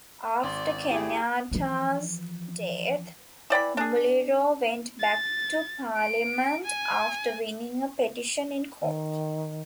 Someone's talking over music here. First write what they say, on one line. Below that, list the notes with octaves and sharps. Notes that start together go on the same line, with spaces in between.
After Kenyatta's death, Muliro went back to Parliament after winning a petition in court.
G#1 D5 C6
E4 G4 G#4
E3 F3
E3 D5 G5 B5
D4 G#4
A6
D7
G#5
D#3